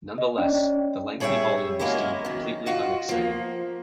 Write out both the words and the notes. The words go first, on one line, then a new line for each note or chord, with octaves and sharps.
Nonetheless, the lengthy volume was deemed completely unexciting.
D#5
C#4 C#5 D5
G3 G#4 C#5 D5 E5 G5
F#3 G#3 A#3 C#4 E4
F#2 D#3
F4 F#4 D#5
F3 A#3